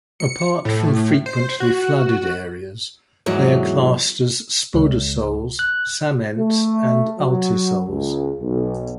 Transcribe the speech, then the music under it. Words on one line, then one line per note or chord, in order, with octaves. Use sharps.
Apart from frequently flooded areas, they are classed as Spodosols, Psamments and Ultisols.
C#7
A2
C5
F#4
E2 G#2 F#3
C#2
F#6
A3
F#3
C#2
B1